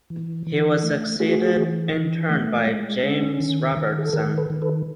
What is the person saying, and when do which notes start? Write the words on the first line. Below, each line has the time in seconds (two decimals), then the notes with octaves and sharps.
He was succeeded in turn by James Robertson.
0.10 E3
0.47 E3
0.83 A3
1.20 A3 F#4 G#4
1.57 E3
1.94 E3
2.30 A3
2.67 G#3
3.03 C#4
3.40 D#3
3.77 D#3
3.98 G#4
4.06 A4
4.13 D#3 G#4 A#4
4.38 A4 B4
4.50 D#3
4.62 A4 B4